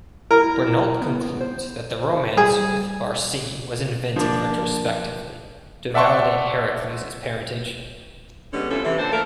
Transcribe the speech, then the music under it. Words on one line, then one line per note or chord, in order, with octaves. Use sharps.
Renault concludes that the romance with Barsine was invented retrospectively to validate Heracles' parentage.
E4 A#4
B3
C5
G3 G#4
F3 A#3 D4
D5 E5 F#5 A5 C6 C#6
D3 G3 G#3 B3 C#4
A2 C3 F3 C#4 A4
C3 E3
A#2 D3 D4 A4 C5
A3 A#3 A4 A#4